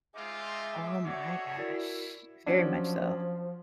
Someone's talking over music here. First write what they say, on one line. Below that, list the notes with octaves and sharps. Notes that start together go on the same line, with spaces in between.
Oh my gosh, very much so.
G#3 C4 D#4 F4 E5 D6
F#4 G#4 A4 C#5 D5
E4 F#4 A#4 D5
F3 F#3 C#4 D4